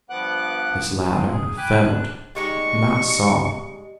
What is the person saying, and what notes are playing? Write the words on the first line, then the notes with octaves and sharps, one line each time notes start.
This latter I felt--not saw.
G2 F3 B3 F#5 D6 F#6
G#3 C4 F4
G#4
G5 G#5 B5 D6 F#6
D4 F#6
G3 G#3 D#4 C#6